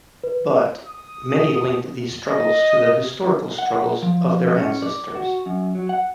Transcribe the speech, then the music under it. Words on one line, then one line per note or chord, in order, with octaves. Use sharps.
But, many linked these struggles to the historical struggles of their ancestors.
B4
D#6
D#5
F#5
F3
C#4
D5
F#4
F#2
F#3
F#5